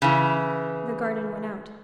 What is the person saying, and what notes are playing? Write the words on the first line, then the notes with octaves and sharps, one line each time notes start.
The garden went out.
C#3 E3